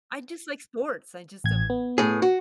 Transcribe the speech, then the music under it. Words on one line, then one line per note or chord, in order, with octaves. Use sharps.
I just like sports, I just um,
A1 G#6
B3
A2 G#4
F#4